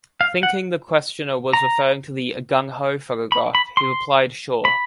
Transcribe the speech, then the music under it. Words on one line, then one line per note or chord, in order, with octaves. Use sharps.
Thinking the questioner was referring to the 'gung-ho' photograph, he replied Sure.
F5
F#5
A#5
B5
B5
C6
B5